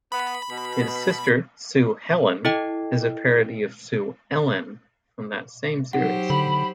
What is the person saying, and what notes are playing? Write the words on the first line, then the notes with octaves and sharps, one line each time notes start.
His sister, Sue Helen, is a parody of Sue Ellen, from that same series.
B3 B5
B2
E4 A4 D#5 G5
F#3 D#4 G4 C5 F#5
D3 B5